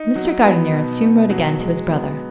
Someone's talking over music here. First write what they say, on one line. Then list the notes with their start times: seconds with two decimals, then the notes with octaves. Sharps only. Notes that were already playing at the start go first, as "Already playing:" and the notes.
Mr. Gardiner soon wrote again to his brother.
Already playing: D#4
0.15 F#3
0.44 B3
0.73 B2
1.02 B2
1.30 F#3
1.59 G#3
1.87 B3